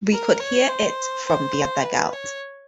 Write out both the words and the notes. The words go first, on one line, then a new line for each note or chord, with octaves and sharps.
We could hear it from their dugout.
A#4
C#5
C5
C5
B4
C#5